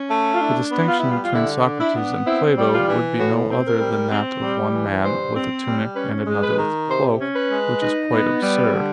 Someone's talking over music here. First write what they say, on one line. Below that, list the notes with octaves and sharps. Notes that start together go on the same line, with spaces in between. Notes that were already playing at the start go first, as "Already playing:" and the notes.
The distinction between Socrates and Plato would be no other than that of one man with a tunic and another with a cloak; which is quite absurd.
Already playing: C#4
A3
F4
D4 E4
B3
F4
G3 E4
F4
F4
D3 E4
D4
E4
B3
C4 E4
G3
F4
E3
A2 F#4
C4
A#4
G3
C4
G3
E3
G2 C5
C4
G3
C#4 B4
G#3
B4
D#3
C3 C5
C#4
B4
G#3
D#4
B3
G3
D3